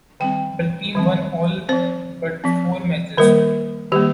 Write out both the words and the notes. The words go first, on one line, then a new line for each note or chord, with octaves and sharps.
The team won all but four matches.
D#3 G3 C4 G5
D#3 G3 C4
F3 C4 C5
F3 C4
D#3 G3 A#3 A#4
D#3 G3 A#3 G4